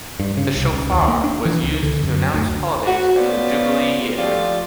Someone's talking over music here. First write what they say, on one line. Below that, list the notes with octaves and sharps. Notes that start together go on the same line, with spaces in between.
The shofar was used to announce holidays and the Jubilee year.
G2
C#3
C2
C#2
D#2
A#3
D4
E3
C#2
D3
F#2
D2
F#4
B3 C#4 F4 C5 D5
F3 A3 F4 G4 D5